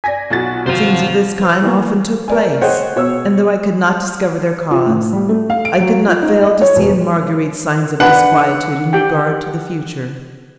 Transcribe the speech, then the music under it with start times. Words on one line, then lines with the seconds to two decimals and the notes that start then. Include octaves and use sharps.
Scenes of this kind often took place, and though I could not discover their cause, I could not fail to see in Marguerite signs of disquietude in regard to the future.
0.04 D5 G#5 A#6 B6
0.30 B1 F4 F#4 F#5 A6
0.66 G#1 C3 F#3 C4 C5 F5
1.41 C5
1.62 E3 A#3
2.28 A#4 D5 G#5
2.61 G#4 C5 C#5 D#5 F#5 G5
2.96 B2 C#5 E6
4.71 F4
4.87 A2
5.13 G3
5.29 A3
5.50 F5
5.65 D7
5.80 F#3
6.08 F4
6.22 D#4
6.43 D#5
6.62 C#5
6.76 E1
8.00 D4 D#4 B4 F#5
8.93 G4 G5